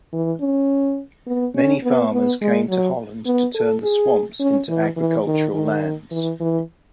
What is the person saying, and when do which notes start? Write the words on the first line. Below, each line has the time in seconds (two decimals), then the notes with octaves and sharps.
Many farmers came to Holland to turn the swamps into agricultural lands.
0.13 E3
0.41 C#4
1.27 B3
1.55 C#4
1.84 B3
2.12 B3
2.41 G#3
2.69 F#3
3.26 B3
3.55 A4
3.83 G#4
4.40 C#4
4.68 E3
4.97 E3
5.26 D#3
5.54 D#3
6.11 E3
6.40 E3